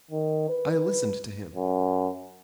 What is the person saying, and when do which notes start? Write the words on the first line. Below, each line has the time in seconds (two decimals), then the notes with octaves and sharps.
I listened to him.
0.11 D#3
0.50 B4
1.55 F#2